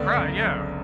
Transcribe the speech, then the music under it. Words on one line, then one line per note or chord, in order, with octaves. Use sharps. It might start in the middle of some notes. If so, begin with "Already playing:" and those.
Right, yeah.
Already playing: C#2 D3 B3 D5
F#2
F#1